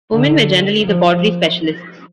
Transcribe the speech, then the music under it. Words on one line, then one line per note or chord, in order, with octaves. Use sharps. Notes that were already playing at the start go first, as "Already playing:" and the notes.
Women were generally the pottery specialists.
D3
F3